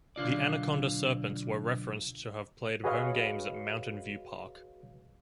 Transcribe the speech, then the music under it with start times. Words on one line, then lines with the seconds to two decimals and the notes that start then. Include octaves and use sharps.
The Anaconda Serpents were referenced to have played home games at Mountain View Park.
0.16 B1 D3 F4 D5
2.84 F#4 G#4 B4 C#5 D#5 F5